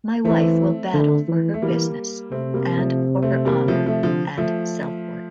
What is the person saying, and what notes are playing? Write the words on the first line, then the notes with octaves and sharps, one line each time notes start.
My wife will battle for her business and for her honour and self-worth.
E3 A3 C4
D3
E3
A3
E3 G3 A#3
C3 A3 C4
G3 A#3
F3 A3
A3 C4
G3 A#3
F3 A3
F3 A3
D3 F3
F3 A3